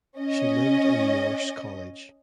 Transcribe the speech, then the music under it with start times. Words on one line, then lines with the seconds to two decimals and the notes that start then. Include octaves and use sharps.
She lived in Morse College.
0.19 C#4 D#5